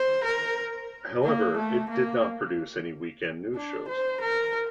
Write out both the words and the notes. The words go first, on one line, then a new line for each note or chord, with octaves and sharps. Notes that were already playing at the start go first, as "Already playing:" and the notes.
However, it did not produce any weekend news shows.
Already playing: C5
A#4
A#3
A3
A#3
D4
C5
A#4